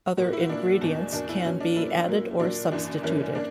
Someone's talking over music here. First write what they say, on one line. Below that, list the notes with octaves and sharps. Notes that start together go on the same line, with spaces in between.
Other ingredients can be added or substituted.
A#2 A#3 F#4
E4
A#2 A#3 D4
E2 B2 A#3
E2 B2 A#3 D4
E4
A#2 F#3 A#3 C#4
D4
A#2 F#3 A#3 E4
A#2 F#3 A#3
A#2 F#3 A#3 D4
F#2 E3 A#3 D4
F#2 E3 A#3 C#4
A#3 D4